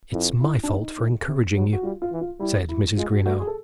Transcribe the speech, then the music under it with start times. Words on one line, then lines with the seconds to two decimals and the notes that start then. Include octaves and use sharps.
"It's my fault for encouraging you," said Mrs. Greenow.
0.12 F2 E4
0.41 E4
0.63 D4
0.69 E2 D#4
0.98 A2
1.26 C3
1.55 F#3
1.73 F#4
1.83 G3 F4
2.02 F4
2.11 E3
2.21 F4
2.39 G3 E4
2.69 E4
2.97 G#3 F4
3.12 F#4
3.26 A3 F#4
3.40 G#4
3.47 A4